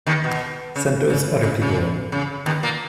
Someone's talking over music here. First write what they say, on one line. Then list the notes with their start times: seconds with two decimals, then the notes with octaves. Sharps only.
Send those other people in.
0.07 D#2 D#3
0.24 B2
0.76 C#3
1.10 C#3
1.43 C#3
1.61 C#3
2.12 C#3
2.46 D#2 D#3
2.63 A#2 A#3